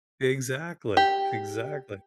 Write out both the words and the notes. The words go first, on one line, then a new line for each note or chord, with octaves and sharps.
Exactly, exactly.
G4